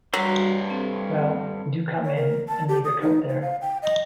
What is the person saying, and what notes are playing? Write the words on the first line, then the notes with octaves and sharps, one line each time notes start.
Well, do come in, and leave your coat there.
G2 F#3 G3 F#4 C5
C4 A4
C#5
A#4
A5
G4
D#6
D#4
C5
F5
G5
D#5